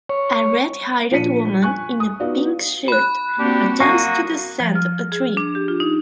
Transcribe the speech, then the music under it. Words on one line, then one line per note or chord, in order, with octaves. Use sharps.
A redhaired woman in a pink shirt attempts to descend a tree.
C#5
A#2 F3 D4 B6 C#7 D#7
G#5 C#6 F#6
D#6
B3 D#4 F4 F#4 D5 F5
B5 F#6
A#3 C4 D4 F#4 G4
F#3 A#3 F#4 C#6 D#6 A#6 C7
F3
F6
G#4
D4
G4
F4
D#4